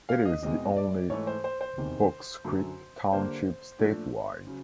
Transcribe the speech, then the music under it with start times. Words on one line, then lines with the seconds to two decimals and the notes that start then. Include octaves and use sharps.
It is the only Bokescreek Township statewide.
0.09 F5
0.25 D#5
0.42 E2 B2 G#3 C4 D#5
0.77 D5
1.10 G#2 E3 A3 C#5
1.27 C5
1.44 C5
1.61 C5
1.78 E2 C3 D#3
2.45 F#2 D3 F#3
3.12 D3 G3 A#3 D4 C5
3.79 A#2 F3 A3 D4
4.47 C#3 F#3